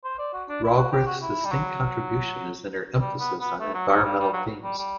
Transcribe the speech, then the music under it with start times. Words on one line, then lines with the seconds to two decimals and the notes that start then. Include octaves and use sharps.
Raworth’s distinct contribution is in her emphasis on environmental themes.
0.04 C5
0.19 D5
0.34 F#4
0.49 D4
0.64 E4
0.78 F#4
0.92 G4
1.07 F#4
1.22 E4
1.45 G3
1.52 F#3
3.00 G3
3.20 B3
3.40 B3
3.60 A3
3.74 F#3
3.89 F#3
4.04 G3
4.19 G3
4.33 F#3
4.63 G3
4.78 G3